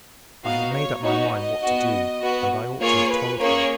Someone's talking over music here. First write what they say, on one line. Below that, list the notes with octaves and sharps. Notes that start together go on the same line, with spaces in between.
I have made up my mind what to do, and I ought to have told her.
B3 D#4 F#4 F5
C#5
B3 D#4 F#4 C#5
D#5
B3 F#4
B3 F#4
A#3 F4 G#4 C#5
B4
A#3 C#4 G#4 C#5